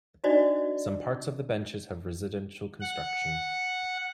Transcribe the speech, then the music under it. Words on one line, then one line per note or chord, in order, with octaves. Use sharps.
Some parts of the benches have residential construction.
D4 D#4 F#4 C5 D5 D#5
F#5